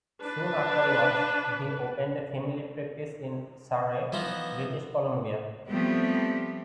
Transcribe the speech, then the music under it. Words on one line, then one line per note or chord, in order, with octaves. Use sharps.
Soon afterwards, he opened a family practice in Surrey, British Columbia.
D4 B4
E3 F3 B3 D#4
F3 G3 A3 B3 C4 G4